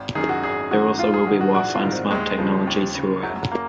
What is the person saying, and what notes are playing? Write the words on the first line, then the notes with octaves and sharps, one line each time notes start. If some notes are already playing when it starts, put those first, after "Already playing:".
There also will be Wi-Fi and smart technology throughout.
Already playing: G#1
F#2 D#3 G#4
F#4
G#1 G#4
F#2 D#3 F#4
A#1 F4
G#4
G#2 D#3 F#4
F#4
A#1 F#4
F4
G#2 D#3
C4
D#2 G#3
C#3 F3
D#2
C#3
F#1 F#3
A#3